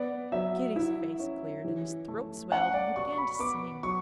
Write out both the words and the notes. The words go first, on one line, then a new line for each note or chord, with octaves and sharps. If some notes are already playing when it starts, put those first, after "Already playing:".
Kitty's face cleared, his throat swelled and he began to sing.
Already playing: B3 D5
F#3 E5
E4 E5
C#4
E3
A3
C#4 F#5
D5
B2 C#6
C#6
B5
B3 D6
F#3 C#6